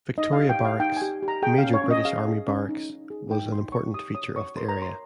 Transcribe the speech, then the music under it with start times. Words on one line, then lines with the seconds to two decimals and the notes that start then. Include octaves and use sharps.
Victoria Barracks, a major British army barracks, was an important feature of the area.
0.18 D#4 D#5
0.33 F5
0.38 G4
0.49 G5
0.59 G4
0.65 F5
0.80 D#4 G5
0.96 G#5
1.02 G4
1.23 G4
1.28 A#5
1.42 G#4 G5
1.58 F5
1.64 C#4
1.74 C#5
1.84 C#4
1.91 D#5
2.05 G#4 F5
2.26 G#4
2.48 C#4
2.69 D#4
2.90 D#4
3.10 G#4
3.31 D#4 G5
3.52 D#4 C6
3.72 C#5 C#6
3.94 G4 D#6
4.15 C#5 D#6
4.36 C#5 C#6
4.56 A#4 C6
4.69 A#5
4.77 C#5 C6